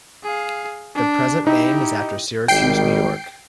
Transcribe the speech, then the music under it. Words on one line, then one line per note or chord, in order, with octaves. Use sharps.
The present name is after Syracuse, New York.
G#4 F5
D4
D#4 E4 G4
G#1 D#3 G3 G5 C7 D7